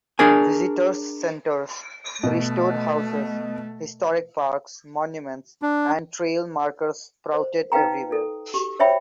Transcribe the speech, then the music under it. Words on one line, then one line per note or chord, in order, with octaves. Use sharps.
Visitors' centers, restored houses, historic parks, monuments, and trail markers sprouted everywhere.
D4 G#4 A#4 G#5
B2 A3
D4
C5
D#4 B4 F5 G5 A#5
A4
F#4 G4
C5 C#5 E5 G5 B5